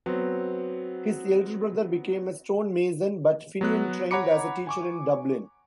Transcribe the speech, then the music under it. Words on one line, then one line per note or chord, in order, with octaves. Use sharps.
His elder brother became a stonemason but Finian trained as a teacher in Dublin.
F#3 B3 C4
F#3 B3 F#6
C#5 F#5 A#5 B5 D6 C#7
G#5 C#6 D6